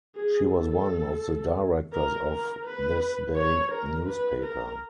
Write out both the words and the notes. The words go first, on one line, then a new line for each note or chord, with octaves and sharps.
She was one of the directors of Thisday Newspaper.
G#4
A4
A#4
A#4
B4
C#5
A#4
B4
A#4